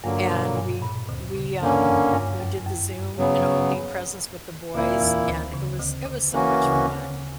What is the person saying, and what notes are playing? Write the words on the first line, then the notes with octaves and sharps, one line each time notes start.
and we we, um we did the Zoom and opening presents with the boys and it was it was so much fun.
G2 D3 F#3 A#3
B2
A#2
G2
A#2
D2 D3
C#3
G2 D3 A#3 C#4
F#2
G2
F#2
F#2
G2
C#3 F#3 B3
D2 A#2 D3 A#3 E4
E2 E3
D2 D3
C#3
D2 D3
D2 D3
E3 A#3 C#4 F#4
C#3
D2 D3
C#3